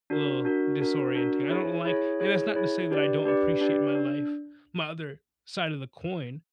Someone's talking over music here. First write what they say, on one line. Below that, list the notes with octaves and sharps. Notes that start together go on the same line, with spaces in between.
li'l disorienting. I don't like" and that's not to say that I don't appreciate my life, my other side of the coin.
D4 F#4 A#4
D4 F#4 A#4
D4 F#4 A#4
D4 F#4 A#4
E4 G#4 C#5
E4 G#4 C#5
E4 G#4 C#5
E4 G#4 C#5
D4 G4 B4 D5
D4 G4 B4 D5
D4 G4 B4 D5
D4